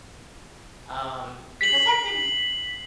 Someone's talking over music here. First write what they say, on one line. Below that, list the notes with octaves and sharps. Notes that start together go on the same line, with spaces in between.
um, because I couldn't,
B6 C7 F#7